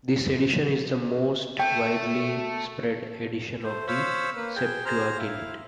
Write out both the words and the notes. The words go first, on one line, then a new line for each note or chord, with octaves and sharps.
This edition is the most widely spread edition of the Septuagint.
A3 G5
A3 C5
C5 C#5 F5 B5 E6
A#3 B4
G#4 G5
G#4 C5 A#5 F6
E4 F5